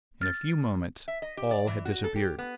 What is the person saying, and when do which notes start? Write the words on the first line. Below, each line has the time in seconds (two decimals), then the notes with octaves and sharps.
In a few moments, all had disappeared.
0.22 F6 A6
1.08 E5
1.22 D#5
1.37 G4
1.51 D5
1.67 E3
1.85 F#4
2.04 A4
2.16 G4
2.39 B3